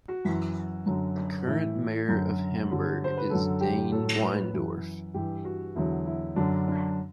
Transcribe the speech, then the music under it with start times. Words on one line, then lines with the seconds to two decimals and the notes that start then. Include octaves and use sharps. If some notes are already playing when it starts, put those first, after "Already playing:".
The current mayor of Hamburg is Dane Weindorf.
0.08 F#4
0.24 F#2 E3
0.86 F#2 D3 F#3
1.47 A2 E3 E4
2.08 F#2 D3 F#3
2.70 G2 D3 F#3
3.04 C5
3.18 B4
3.30 F#2 D3 F#3 A4
3.61 G4
3.92 A2 F#3 A4
4.23 B4
4.53 F#2 E3
5.14 G2 E3 G4
5.45 F#4
5.75 E2 D3 F#3 E4
6.06 E4
6.36 F#2 D3 F#3 D4
6.68 D4